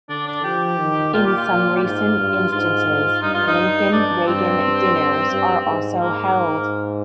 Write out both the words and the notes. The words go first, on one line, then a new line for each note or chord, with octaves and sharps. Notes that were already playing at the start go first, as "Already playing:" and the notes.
In some recent instances Lincoln-Reagan dinners are also held.
D3 D4
D4
F3 G4
D#3
A#2 F4
G4
F4
A#2
G4
G#2 F4
G2
G#2 F4
G#2
G2 D#4
F4
D#4
G2 D4
G2 C4
G2
G#2
G#2 A#3
G#2